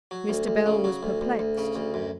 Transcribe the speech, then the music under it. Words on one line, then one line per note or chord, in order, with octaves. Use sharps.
Mr. Bell was perplexed.
F#3
D2
D2
C#3
F#3
D2
D2
D2
C#3
D2
F#2